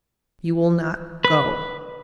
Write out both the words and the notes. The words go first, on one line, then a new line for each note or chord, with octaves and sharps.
You will not go?'
B4